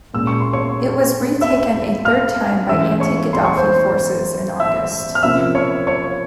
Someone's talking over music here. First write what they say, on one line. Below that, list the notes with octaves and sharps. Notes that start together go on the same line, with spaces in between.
It was retaken a third time by anti-Gaddafi forces in August.
A#2 G#3 C#4 E6
C#6
C6
C#5 C#6
E5 E6
F5 F6
E3 G#3 C#4 E5 E6
C#5 C#6
C6
C#6
C5 C6
E5 E6
F6
C3 F3 A#3 C#4 E5 E6
C#5 C#6
C#5 C#6